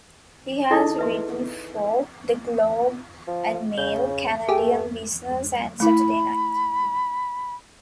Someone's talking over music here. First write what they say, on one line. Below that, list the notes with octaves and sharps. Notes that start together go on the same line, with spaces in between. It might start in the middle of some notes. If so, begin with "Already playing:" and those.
He has written for "The Globe and Mail", "Canadian Business" and "Saturday Night".
D#4 E4 G#4 A4 D#5
B4 E5 C6
F3
C#3 G6
A3 G4 G#4
A3 E4 B5